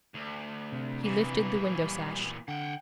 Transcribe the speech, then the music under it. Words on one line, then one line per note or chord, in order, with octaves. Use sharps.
He lifted the window-sash.
D2
C3 D4
A#2 E3
G3
D3 F#5 G5